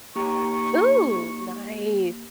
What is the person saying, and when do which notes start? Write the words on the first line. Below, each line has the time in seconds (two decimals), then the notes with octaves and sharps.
Ooh, nice.
0.16 A#3 D#4 G4 C#5 A#5 C#6